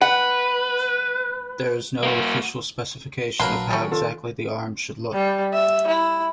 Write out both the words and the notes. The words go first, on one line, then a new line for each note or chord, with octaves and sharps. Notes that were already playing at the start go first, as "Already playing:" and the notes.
There is no official specification of how exactly the arms should look.
B4 F#5
A#3 F#4
A#1 F#3 A#3 A#4 B4 A5 C6
D#3 G3 C#4
F4 A4
G3
E5
E4